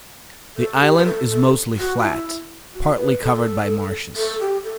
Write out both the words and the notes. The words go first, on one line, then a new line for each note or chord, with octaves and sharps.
The island is mostly flat, partly covered by marshes.
A4
G4
B4
A4
A4
F#4
E4
F#4
B4
A4
A4
G4
A4